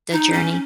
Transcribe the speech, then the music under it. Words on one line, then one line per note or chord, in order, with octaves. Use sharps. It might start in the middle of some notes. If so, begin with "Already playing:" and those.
the journey.
D#4
C#4